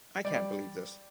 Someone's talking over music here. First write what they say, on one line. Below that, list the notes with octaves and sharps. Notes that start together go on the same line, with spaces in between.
I can't believe this.
G3 D5